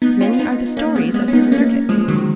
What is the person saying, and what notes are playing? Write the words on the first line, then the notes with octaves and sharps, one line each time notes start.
Many are the stories of his circuits.
B3 D#4
C#4 F4
B3 D#4
A#3 C#4
G#3 B3
G#3 B3
C#4
B3 D#4
A#3 C#4
F3 G#3
D#3 F#3